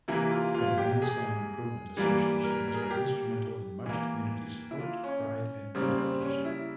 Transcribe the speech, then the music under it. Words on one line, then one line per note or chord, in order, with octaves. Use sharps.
The Lansdowne Improvement Association has been instrumental in much community support, pride and beautification.
C3 E3 A#3 E4
F4
F4
G4
G#4
E3 G3 A#3
A#4
A#4
G#4
A#4
G4
E3 A#3
E4
F4
C#4
C#3 G3 A#3 C4
C4
C#4
E4